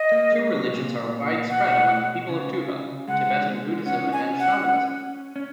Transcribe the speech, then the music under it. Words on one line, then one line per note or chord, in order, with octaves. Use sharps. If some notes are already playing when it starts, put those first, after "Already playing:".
Two religions are widespread among the people of Tuva: Tibetan Buddhism and shamanism.
Already playing: D#5
A#3
G#3
F#3
A#2
B2 F#5
C#3
G#3 F#5
C#4 F#5
G#5
F#5
C#4